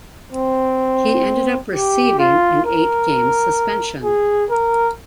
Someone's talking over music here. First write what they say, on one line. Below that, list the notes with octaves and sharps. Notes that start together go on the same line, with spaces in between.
He ended up receiving an eight-game suspension.
C4
G4
F4
A#4
G#4
A#4